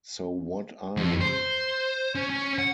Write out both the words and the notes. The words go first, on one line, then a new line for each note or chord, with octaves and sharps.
So what are we?
F2
C5
C#4
C#4
F#5